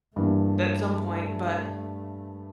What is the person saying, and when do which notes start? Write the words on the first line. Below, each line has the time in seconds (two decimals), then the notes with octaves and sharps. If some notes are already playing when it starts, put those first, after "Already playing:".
that some point, but,
0.16 G2 E3 A3 A#3